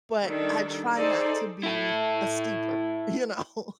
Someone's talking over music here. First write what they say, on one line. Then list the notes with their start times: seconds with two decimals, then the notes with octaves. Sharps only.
but I try not to be a steeper, you know,
0.24 D#3 G3 D4 A4
0.96 D#4 G#4 A4 C5 D5
1.64 E4 A4